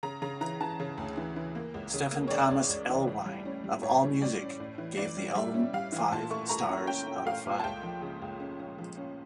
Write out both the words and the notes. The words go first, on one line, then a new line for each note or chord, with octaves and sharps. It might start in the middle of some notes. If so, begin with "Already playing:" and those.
Stephen Thomas Erlewine of AllMusic gave the album five stars out of five.
C#3 A#5
C#3 A#5
E3 A#5
E3 A5
C#3
D2
E3
E3
A#3
C#2
C#3
A#3
C#5
C#3 D5
C#2
C#2
E3
A2
G3
C#4
G3
A2 C#5
G3
G3 D5
C#4
A2
E3
E3 D5
G3
G3 E5
C#4
G3 F5
E3
A#2 A5
A3 C#6
A3 A#5
C#4
C#4 G5
C#4
A3 F5
A#2
A5
C#2 G5
F3
C#3
C#2
C#4
C#4
F3
C#4